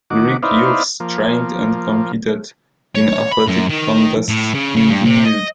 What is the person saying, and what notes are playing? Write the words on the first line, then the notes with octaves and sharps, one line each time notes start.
Greek youths trained and competed in athletic contests in the nude.
D#3 F#4 D6
D#4 E4 B4 C5 D5 F5
F3 A#3
C#5
B5
F#2
D#3
A2
C#3
C#3
G2
C3
D#5